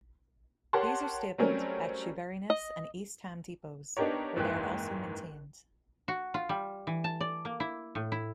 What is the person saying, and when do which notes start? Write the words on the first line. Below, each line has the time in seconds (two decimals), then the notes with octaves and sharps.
These are stabled at Shoeburyness and East Ham depots, where they are also maintained.
0.73 G4 A#4 C#5 F#5 A5 C6
1.38 F#3 G3 A3 C4 C#4 A#4
2.50 D#5
3.97 B3 D4 D#4 G4 A#4 C#5
4.36 F#1 D#2 G#2 E3 G5 F#6
6.08 F#4
6.34 F4
6.49 G3
6.87 E3
7.04 A5
7.21 D5
7.45 A#3
7.60 E4
7.95 A2
8.12 E4